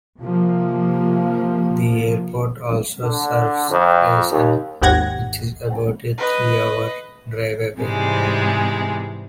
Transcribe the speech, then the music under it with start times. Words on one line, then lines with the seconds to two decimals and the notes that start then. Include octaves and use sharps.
The airport also serves Rason, which is about a three-hour drive away.
0.21 C3 F3 A#3
3.02 D3
3.70 F2
4.31 D#2
4.82 G#1 D#2 G4 F#5 G#6 A#6
6.18 B4 D#5
7.80 G#2 C3 E3 G3 G#3 G#4